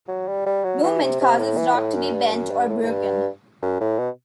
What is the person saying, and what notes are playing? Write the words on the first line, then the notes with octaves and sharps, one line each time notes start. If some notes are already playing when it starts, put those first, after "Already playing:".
Movement causes rock to be bent or broken.
F#3
G3
G3
F#3
E3
C3
C3
A2
E3
A2
F#2
G2
F#2
G2
A2
A2
G2
F#2
A2
B2